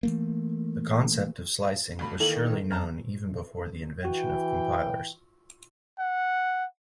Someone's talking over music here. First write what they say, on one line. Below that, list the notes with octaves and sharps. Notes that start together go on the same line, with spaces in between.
The concept of slicing was surely known even before the invention of compilers.
E3 A3 A#3
G1 D2 B5
D#3 E3 A#3 A4
F2 A5 A#5 F6
E3 F#4 G5
F#5